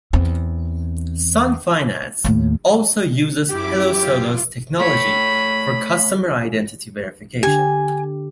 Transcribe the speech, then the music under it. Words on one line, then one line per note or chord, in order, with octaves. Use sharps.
Sun Finance also uses Hello Soda’s technology for customer identity verification.
E2 C4
D#2 A2
F#2 E4 G4 D6
F4
A3 C#5 B5
D3 G4 G#5